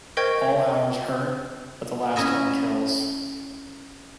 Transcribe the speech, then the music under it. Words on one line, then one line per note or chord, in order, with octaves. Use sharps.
All hours hurt, but the last one kills.
A#4 C5 D#5 G5 C#6 G#6
C#4 E4 D#5 E5